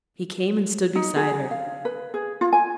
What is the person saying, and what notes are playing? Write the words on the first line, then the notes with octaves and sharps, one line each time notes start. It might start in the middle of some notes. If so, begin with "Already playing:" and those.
He came and stood beside her.
D#4
G#4
F5
B4
G#4
F4
G#5